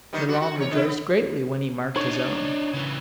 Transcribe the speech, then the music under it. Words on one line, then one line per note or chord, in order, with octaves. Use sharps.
Milon rejoiced greatly when he marked his own.
D#3 G3 B3
G3 B3 F#4
F#4
E2 C#5
D3 E4
B3
D4 D#4 C#5
C#3 E3